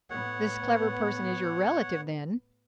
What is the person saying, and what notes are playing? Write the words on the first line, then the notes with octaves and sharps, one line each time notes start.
"This clever person is your relative, then?"
A2 B3 C#5 F#5